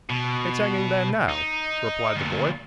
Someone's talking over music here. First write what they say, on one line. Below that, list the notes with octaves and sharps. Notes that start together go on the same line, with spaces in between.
'It's hanging there now,' replied the boy.
B2
D#4
D2 A#2